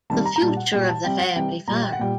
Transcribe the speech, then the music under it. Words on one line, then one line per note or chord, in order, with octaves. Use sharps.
The Future of the Family Farm.
C3 D#3 G3 A5
A#5
A#5
A#2 G3 A5
F#5
A#2 G3 G5
A5
C3 G3 G5
F#5
C3 G3 G5
A#2 G3 A#5
G5
F#5
A#2 G3 G5